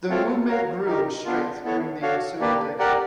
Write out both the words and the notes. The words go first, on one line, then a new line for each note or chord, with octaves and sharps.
The movement grew in strength during the ensuing decade.
A3 C4 F4 A4 C#5
F#4 A#4 C#5 F5
D#4 G4 A#4
B3 D4 F4
B3 E4 A4 C#5
D4 F#4 A4 C#5 F5
A#3 D4 G4 B4 D5
G4 A#4 D5 F#5